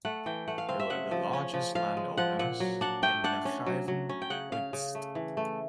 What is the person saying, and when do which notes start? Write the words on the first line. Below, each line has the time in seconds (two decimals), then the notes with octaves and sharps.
They were the largest landowners in Nakhchivan uyezd.
0.05 A3 F#5
0.26 E3 G5
0.48 A3 F#5
0.58 F5
0.69 C4 F5
0.80 E5
0.90 C#3 F#5
1.11 F3
1.33 C#4
1.54 F3
1.75 F3 F5
1.97 G#3
2.17 F3 F#5
2.39 A#2 F#5
2.60 F#3
2.81 D4 F#5
3.03 A3 G5
3.24 D4 F#5
3.45 C#4
3.66 F#3
3.88 F#3
4.09 C#4
4.22 G5
4.30 C#3 F#5
4.52 C#3 F5
4.73 C#3
4.95 A3
5.15 E3
5.37 A3